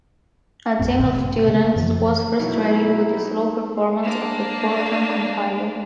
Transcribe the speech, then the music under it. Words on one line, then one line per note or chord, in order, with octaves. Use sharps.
A team of students was frustrated with the slow performance of the Fortran compiler.
A#1 F#2 C4
D#1 G#1 A2 D3
G2 C3
C#3
F#2 E3 F3 A3
B2 F#3 D#4 E4
A#3 D4